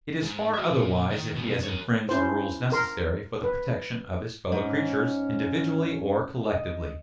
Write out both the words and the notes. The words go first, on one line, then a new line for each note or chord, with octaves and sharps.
It is far otherwise if he has infringed the rules necessary for the protection of his fellow-creatures, individually or collectively.
G#2
F#4 E5
A#2
D#3
G2 B2
A#4 C#5
C#4 E4 C5
A#4 C6
B4
G#2 C#4
D#5